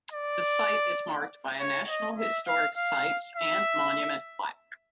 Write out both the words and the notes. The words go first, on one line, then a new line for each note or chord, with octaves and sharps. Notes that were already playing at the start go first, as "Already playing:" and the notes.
The site is marked by a National Historic Sites and Monument plaque.
D5
C#5
D#5
E5
F5
F5
E5